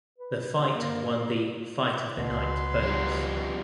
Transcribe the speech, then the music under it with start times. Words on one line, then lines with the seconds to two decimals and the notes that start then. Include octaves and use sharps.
The fight won the "Fight of the Night" bonus.
0.18 B4
0.73 G2 A#3
2.17 C#2 G#2 B2 B4 C6
2.82 B2 F3 G3 D#4